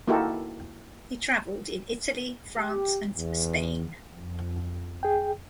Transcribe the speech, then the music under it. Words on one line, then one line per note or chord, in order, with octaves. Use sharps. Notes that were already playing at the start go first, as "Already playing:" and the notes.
He travelled in Italy, France and Spain.
A#3 D#4 E4 F#4 G4 A4
G4
E2
F2
G#4 G5